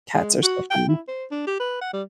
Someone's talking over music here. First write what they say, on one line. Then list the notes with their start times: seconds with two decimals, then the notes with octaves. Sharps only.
Cats are so funny.
0.14 G#3
0.43 F#4
0.70 G5
0.88 E4
1.08 C5
1.31 D4
1.47 G4
1.60 B4
1.81 F#5
1.93 G3